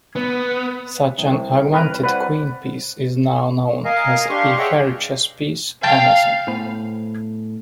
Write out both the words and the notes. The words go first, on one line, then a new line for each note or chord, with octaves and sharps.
Such an augmented queen piece is now known as the fairy chess piece "amazon".
B3
C2
A#4 B4
B4 C5 D5 F#5
A#4 D#5 F5 G#5
D4 G4 F5 C6 C#6
G#4 C#5 D#5 E5 F#5 G5
G2
F5 G5 A5
A2 B3 C5 G#5 B5